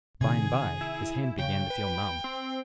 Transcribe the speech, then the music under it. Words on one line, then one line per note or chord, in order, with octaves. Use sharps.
By-and-by, his hand began to feel numb.
C3 D#3 G#4 G#6
E4
C#3 G5
B4
C4